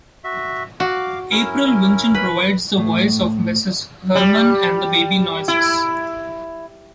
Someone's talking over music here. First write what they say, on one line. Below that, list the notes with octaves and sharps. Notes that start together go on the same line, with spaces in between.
April Winchell provides the voice of Mrs. Herman and the "baby noises".
F#4 E5
F#4 F5 D6
C#4 E4 A#4
B4
A2
G3
E4